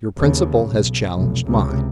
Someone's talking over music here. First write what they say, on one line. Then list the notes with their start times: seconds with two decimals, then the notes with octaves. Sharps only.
Your principal has challenged mine.
0.17 D#2 C#3
0.66 B1
1.13 F1 B1
1.46 C#2 C3